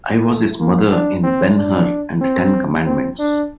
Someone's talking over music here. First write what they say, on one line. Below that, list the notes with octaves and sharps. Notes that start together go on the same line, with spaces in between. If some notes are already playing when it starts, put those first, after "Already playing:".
I was his mother in "Ben Hur" and "The Ten Commandments".
A3
A#3
D4
C4
D4
C4
C4
D4